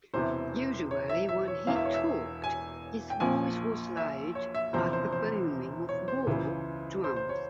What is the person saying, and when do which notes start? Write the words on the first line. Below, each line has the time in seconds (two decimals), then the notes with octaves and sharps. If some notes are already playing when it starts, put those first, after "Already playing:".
Usually when he talked, his voice was loud like the booming of war drums.
0.14 E1 E2 C3 E3 C5
0.91 C#5
1.09 E5
1.29 E5
1.48 C#5
1.67 E1 E2 E3 F5
1.76 E5
1.85 C#5
1.94 E5
2.44 G#5
3.10 G5
3.20 A#1 A#2 F3 G#5
3.97 E5
4.35 C#5
4.55 E5
4.73 E1 E2 C3 F3 C5
4.93 C5
5.12 C5
5.89 C#5
6.08 C5
6.27 C#2 C#3 E3
7.04 C5
7.16 C5
7.29 C#5